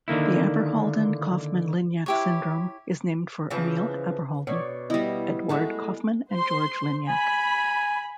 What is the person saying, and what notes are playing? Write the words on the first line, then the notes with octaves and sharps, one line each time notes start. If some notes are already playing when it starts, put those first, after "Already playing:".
The Abderhalden-Kaufmann-Lignac syndrome is named for Emil Abderhalden, Eduard Kaufmann and George Lignac.
D3 D#3 A#3 E4
E4 G4 C#5
C#3 E3 F3
B2 C#5 D5
G3 B3 E4 D#5
G#3 A3 F#4
C5 C6
G#5 B5